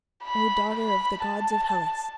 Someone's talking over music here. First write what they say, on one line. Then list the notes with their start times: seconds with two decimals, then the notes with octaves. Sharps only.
Oh, daughter of the gods of Hellas!
0.23 B5
0.74 B5
1.25 A5